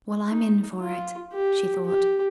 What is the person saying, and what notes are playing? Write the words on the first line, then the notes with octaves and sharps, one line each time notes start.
"Well, I'm in for it," she thought.
D#4
F4
G4
G4